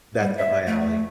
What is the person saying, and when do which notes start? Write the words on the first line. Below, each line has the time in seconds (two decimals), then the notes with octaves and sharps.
that's up my alley.
0.21 G3
0.37 E5
0.67 A3